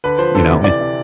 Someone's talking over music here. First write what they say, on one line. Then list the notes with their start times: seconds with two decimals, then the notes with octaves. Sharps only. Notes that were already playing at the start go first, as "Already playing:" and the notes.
you know, an
0.04 D3 B4
0.19 F3 C5
0.35 D3 A4
0.50 C3
0.64 E3 D5
0.81 C3